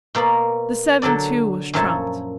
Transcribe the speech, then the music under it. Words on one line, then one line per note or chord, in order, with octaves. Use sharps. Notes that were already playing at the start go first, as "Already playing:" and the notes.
The seven too was trumped.
B2 A#3 D5 B5
D3 F#3 A4 D5
F#2 A#2 F3 C#5 E5 A5